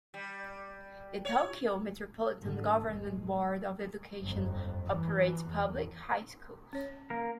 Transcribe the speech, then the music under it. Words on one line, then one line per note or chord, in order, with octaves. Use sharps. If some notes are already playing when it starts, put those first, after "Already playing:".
The Tokyo Metropolitan Government Board of Education operates public high schools.
G3
C#5
G#1 G#2 D3
A#1 F2 G#2 G#3
G1 F2
E3
E2
C#4 C#5
A#3 A#4